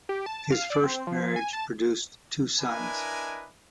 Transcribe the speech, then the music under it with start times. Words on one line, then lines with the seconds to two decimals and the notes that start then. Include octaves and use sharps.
His first marriage produced two sons.
0.09 G4
0.26 A5
0.52 F5
0.70 D5
0.84 C4
1.07 F3
1.36 G#5
1.53 A5
2.60 D4 E4 A#4 B4 D#5 G#5